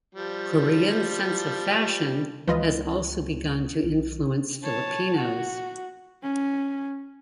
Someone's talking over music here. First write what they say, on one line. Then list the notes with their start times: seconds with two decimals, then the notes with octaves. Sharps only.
Koreans' sense of fashion has also begun to influence Filipinos.
0.15 F3 G3
2.48 C#2 E3 F3 G#3 F4 B4 D#5
3.84 B1
4.64 C#5 A5
5.17 F#4
6.23 C#4